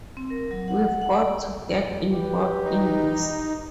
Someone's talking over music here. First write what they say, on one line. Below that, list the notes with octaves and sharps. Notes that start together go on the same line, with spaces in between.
We've got to get involved in this.
C4
A#4
F#3
F#5
F#5
D5
F2
G4 B4
D#4